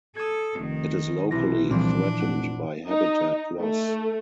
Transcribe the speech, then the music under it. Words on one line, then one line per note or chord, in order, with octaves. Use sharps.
It is locally threatened by habitat loss.
A4 D#6 G#6
F1 D#3
B1 C3 E3 A#6
C2 A#2 E3 F3 D4
F1 F#5
D#4
A3